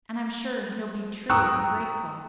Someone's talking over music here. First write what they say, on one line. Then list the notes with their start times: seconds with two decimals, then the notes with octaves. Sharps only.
"And I'm sure he'll be true and grateful."
1.29 G5 A#5 C#6 D#6 E6 F#6